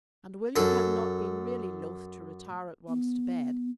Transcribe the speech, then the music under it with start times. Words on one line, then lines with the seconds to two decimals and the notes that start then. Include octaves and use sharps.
And William had not been really loth to retire at once to bed.
0.56 F#2 A4
2.88 B3